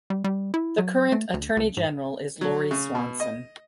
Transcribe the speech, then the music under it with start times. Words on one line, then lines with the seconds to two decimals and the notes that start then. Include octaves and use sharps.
The current Attorney General is Lori Swanson.
0.10 G3
0.24 G3
0.54 E4
0.78 F#3
1.12 A3
1.34 D2
1.57 C#2
1.77 G#2
2.41 F#3
2.71 C#3
2.95 B2
3.20 D#5